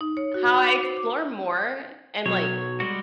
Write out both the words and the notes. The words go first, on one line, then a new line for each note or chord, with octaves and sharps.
how I explore more, and, like
D#4
C#5
F#4
F#4
D6
C5
D6
B1 F#3 C#5
G3 G#3 F#4